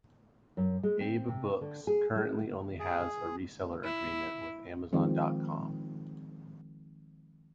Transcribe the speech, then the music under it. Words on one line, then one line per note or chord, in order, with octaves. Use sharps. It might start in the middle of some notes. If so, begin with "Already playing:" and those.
AbeBooks currently only has a reseller agreement with Amazon dot com.
F#2
G#3
C4
C3
D3
G#4
G#3
G#4
E4
D#3 F3 G#3 C4